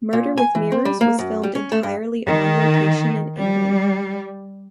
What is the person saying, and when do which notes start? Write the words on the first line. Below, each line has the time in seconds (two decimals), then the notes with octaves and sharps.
"Murder with Mirrors" was filmed entirely on location in England.
0.13 A#2
0.38 G#5
0.55 E3
0.72 C4
0.85 G3
1.01 A#3
1.19 F#2
1.43 G3
1.55 C#4
1.72 A3
1.83 G2
2.25 D#3
3.36 G3